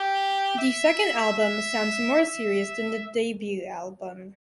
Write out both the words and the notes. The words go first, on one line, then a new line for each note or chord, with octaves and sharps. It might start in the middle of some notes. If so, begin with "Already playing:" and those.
The second album sounds more serious than the debut album.
Already playing: G4
E5
E5
E5